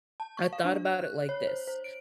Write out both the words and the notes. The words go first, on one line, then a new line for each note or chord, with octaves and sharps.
I thought about it like this
A5
C#6
F5
D4
F#6
F#6
C#5
C5
C5
D7